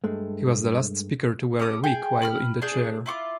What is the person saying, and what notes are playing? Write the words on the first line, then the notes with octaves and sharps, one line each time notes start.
He was the last Speaker to wear a wig while in the chair.
G2 G#3 A3
C#4 A4 D6 D#6
G#4 G5
B5 C6 F6
D4 G#4 G6
E4 F4 C#6 D6